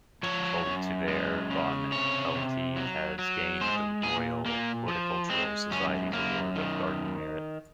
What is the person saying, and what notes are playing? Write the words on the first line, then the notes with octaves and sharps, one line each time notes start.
The cultivar 'Van-Houttei' has gained the Royal Horticultural Society's Award of Garden Merit.
F3 C#5
F#2
G#3
C#3
C3 C#5
C3
F#3
F#3
G#3 C5
A#2 G#4
A#2 A#3
F3
G#3 C4
F#2 C#4
F#2 A#3
D#3